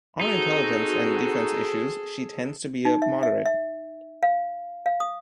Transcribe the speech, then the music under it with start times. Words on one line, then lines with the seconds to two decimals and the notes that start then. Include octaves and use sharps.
On intelligence and defense issues, she tends to be a moderate.
0.21 C4 D#4 F#4 G#4 A4
2.85 D#4
3.02 E5
3.23 E5
3.46 E5
4.23 F5
4.86 F5
5.00 D#6